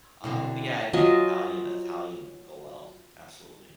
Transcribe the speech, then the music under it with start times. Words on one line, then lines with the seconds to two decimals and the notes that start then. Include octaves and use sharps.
Uh, but, yeah, I think Italian Italian would go well, absolutely.
0.24 B2 D3 C4 E4
0.93 F#3 F4 D#5 G#5